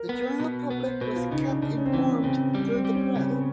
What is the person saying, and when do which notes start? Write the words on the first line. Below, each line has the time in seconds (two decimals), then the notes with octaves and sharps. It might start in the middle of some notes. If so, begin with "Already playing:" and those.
The general public was kept informed through the press.
Already playing: A#4
0.09 B3
0.40 B2
0.70 B3 B4
0.86 C5
1.01 B2 B4
1.16 F4
1.31 C#3 D#4
1.48 D4
1.62 C#3 D4
1.77 C#4
1.86 C4
1.93 E3 C#4
2.24 C#3 C4
2.55 G3
2.75 C4
2.85 G3
2.95 C#4
3.16 C#3 C4
3.30 B3